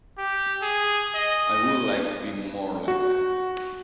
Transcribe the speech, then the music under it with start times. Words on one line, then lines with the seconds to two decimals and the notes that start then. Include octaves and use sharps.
I would like to be more like that.
0.18 G4
0.62 G#4
1.15 D#5
2.88 F#4